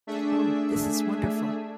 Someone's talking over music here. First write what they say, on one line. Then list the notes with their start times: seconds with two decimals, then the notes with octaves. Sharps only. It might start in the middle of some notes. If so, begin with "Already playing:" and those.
Oh, this is wonderful!
0.07 A3 D4 G#4 E5